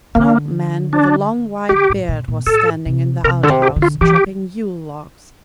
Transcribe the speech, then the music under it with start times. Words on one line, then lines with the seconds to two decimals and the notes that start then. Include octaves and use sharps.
An old man with a long white beard was standing in the outhouse, chopping Yule logs.
0.15 D3 A#3
0.93 D4
1.69 D3 G4
1.90 A2
2.09 A#2
2.28 A#2
2.46 A2 A4
2.86 C3
3.24 C3 A#4
3.43 D3 A4
3.49 C3
3.62 G4
3.76 D3
3.82 F4
4.01 E3 G4